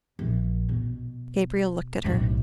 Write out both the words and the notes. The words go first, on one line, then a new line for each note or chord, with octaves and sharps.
Gabriel looked at her.
A#1
B2
B1 A2